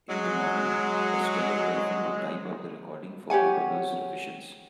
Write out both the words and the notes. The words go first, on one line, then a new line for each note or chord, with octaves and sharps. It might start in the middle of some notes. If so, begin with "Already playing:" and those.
In the morning, a stenographer would type up the recording for Oboler's revisions.
F#3 G#3
G4 C#5 F#5 G#5